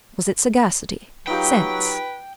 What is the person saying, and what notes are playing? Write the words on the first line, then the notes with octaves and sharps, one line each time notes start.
Was it sagacity?--sense?
F#3 D#4 F4 G4 B4 G5